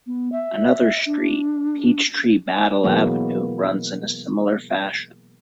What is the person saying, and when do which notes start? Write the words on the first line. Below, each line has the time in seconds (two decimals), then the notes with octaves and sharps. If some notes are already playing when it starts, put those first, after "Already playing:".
Another street, Peachtree Battle Avenue, runs in a similar fashion.
0.07 B3
0.32 E5
1.06 D4
2.84 B2 E3 F#3 G#3 A#3 B3